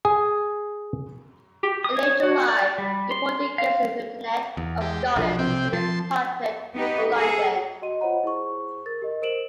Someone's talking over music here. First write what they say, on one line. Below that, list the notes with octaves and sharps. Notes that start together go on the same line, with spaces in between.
In late July he appointed Gaveston Lieutenant of Scotland, and departed for London.
G#4 G#5
G4
D#6
C#5
F#4
D5
G3
C6
F5
E2
G#3 G4
B1 F3 D4
C3 C4 G5
F3 A5 C6
B3 D#4 G4 B4
G#4 A4
F#4 D#5 C6 D#7
F4 C5 C#5 D#5 F#5 A#5
E4 G#4 C5 C#6
A#4 A6
G4 A#4 D#5
A#4 C5 D7 E7 F#7